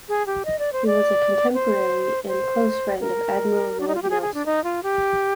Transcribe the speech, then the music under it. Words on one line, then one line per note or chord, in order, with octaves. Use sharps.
He was a contemporary and close friend of Admiral Lord Nelson.
G#4
G4
D#5
D5
C5
D5
C5
C5
A#4
D4
D#4
F4
G4
G#4
G#4
D4
D#4
F4
G4